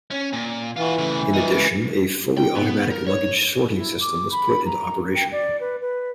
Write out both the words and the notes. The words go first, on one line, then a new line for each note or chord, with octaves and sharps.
In addition, a fully automatic luggage sorting system was put into operation.
C#4
A#2
E3 F4 F#4
C#3 A3
F3 D#4
C#3 G#3
G5
B3
A#4
C#5
E4
D6
B5
A#5
G5
D5
B4
B4